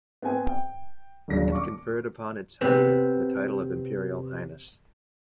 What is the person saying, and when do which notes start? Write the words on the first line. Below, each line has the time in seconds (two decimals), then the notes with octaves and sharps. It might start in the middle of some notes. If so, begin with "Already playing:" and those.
It conferred upon its holder the title of "Imperial Highness".
0.22 B3 C4 G5 G#5
0.46 G5
1.28 D#1 C#3 F#3 D4 A#6
1.52 C#6 D6
2.61 C3 B3 C4